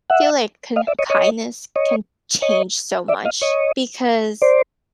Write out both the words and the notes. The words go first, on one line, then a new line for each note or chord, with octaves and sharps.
feel like k kindness can change so much, because
E5 F#5
D#5 F5
D5 E5
C#5 D#5
C#5 D#5
C#5 D#5
C#5 D#5
D5 E5
D#5 F5
C#5 D#5
C5 D5